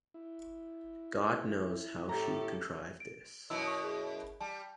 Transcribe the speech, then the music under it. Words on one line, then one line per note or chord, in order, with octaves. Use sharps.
God knows how she contrived this.
E4
A2 G4 A4 A#5
D7
F#2 B2 E4 E6
C#6 D#6
G#4
G3 A5